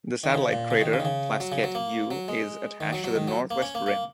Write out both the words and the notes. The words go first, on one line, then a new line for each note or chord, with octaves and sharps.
The satellite crater Plaskett U is attached to the northwest rim.
D#3
C#3
A#2
C#3
D#3
C#3
D#3
C#3
F#3
C#3
F#3
A#3
F#3
G#3
D#3
F#3
F#3
D#3
F#3
A#3
C#4
A#3
A#3